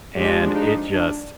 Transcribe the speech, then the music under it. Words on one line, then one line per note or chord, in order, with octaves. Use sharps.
and it just
F3 G#3 D4 G4
D#4
D4